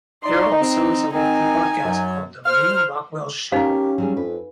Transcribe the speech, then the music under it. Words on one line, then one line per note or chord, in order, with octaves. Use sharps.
There also is a weekly podcast called the Lew Rockwell Show.
D#4 D5 C6
C4
D#3 C4 D#4 G#5
F#2 F#3
C5 F6
C#4 D#4 G4 A#4 C5 F5
F#3 G3 G#4
F2 B4